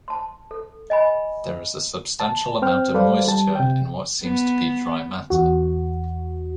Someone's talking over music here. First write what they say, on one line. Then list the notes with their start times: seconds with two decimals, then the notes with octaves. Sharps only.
There is a substantial amount of moisture in what seems to be dry matter.
0.08 A5 C6
0.51 A4
0.90 D#5 G#5 B5
2.20 A5
2.62 C4 C5 G5 F6
2.94 G3 A4 B4 C5 D5 F5
3.28 G3 A5
3.55 C3 G5
4.23 B3
5.30 E2 F#4